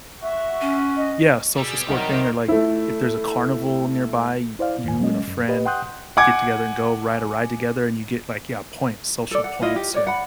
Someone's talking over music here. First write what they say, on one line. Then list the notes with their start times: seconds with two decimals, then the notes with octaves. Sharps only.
Yeah, social score thing or, like, if there's a carnival nearby, you you and a friend n get together and go ride a ride together and you get, like, yeah, points, social points or
0.22 F#4 E5
0.61 C#4
0.97 D#5
1.57 B2 G3 G#4 E6
1.88 C2 D#3 F#3 A#4 C5 F#5
2.48 A3 E4
4.59 E4 C5 D5 F5
4.84 D#2 G#2 D#3 G#5
5.00 F#3 G#3 C#4 D#5
5.28 F#2
5.48 G4 B4 D#5
5.66 F#5 G5 C6 D#6 F#6 G6
6.17 F#5 G#5 D6 G#6
9.31 A4 D5
9.44 F#5
9.61 E4 F4 D#5 F5
9.76 G4
9.94 C#5 D5
10.07 F#5 B5